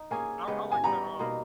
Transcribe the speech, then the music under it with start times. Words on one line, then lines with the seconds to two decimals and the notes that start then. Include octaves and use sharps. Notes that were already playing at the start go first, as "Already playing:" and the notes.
I I like to, um
Already playing: D#4
0.11 A#3 C#4 G#4 G#5
0.47 C#3 G#3 B3 G4
0.72 G#5
0.84 G3 B3 G4 A#5
1.19 B2 A#3 D#4 A#4